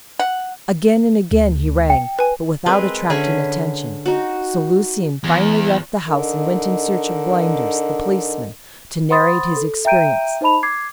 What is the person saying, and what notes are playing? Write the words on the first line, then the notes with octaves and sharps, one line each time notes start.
Again and again he rang, but without attracting attention; so Lucian finally left the house and went in search of Blinders, the policeman, to narrate his experience.
F#5
D2
G5
B4 G#5
G#3 C4 A#4 B4
D3 C#4 G#4 E5
D#4 F#4
E2
D3 D#4 A#4 D#5
C5 F#5 B5 C6 D#6 A6
A4
E5 G5 A#5 G6 D7 D#7
D#4 C5 D#5 A5 B5 F7
D6 G#6 C7